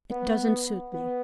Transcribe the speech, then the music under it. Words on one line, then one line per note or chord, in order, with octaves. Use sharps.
It doesn't suit me.
B3
B3